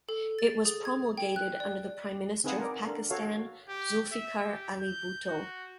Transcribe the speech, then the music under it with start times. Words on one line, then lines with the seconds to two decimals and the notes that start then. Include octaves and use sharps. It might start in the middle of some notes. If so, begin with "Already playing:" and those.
It was promulgated under the Prime Minister of Pakistan Zulfiqar Ali Bhutto.
0.09 A4
0.39 A6
0.65 G#4
0.85 G#6
1.18 G5
1.36 F#6
1.60 D5
2.44 C4 D#4 G#4 B4 F5 F#5
2.60 A#4 D5
2.87 D4 A4 A#4
3.10 F#4 A4 C#5 F5
3.68 G4
4.12 E5
4.45 G4
4.81 G6
5.28 F#4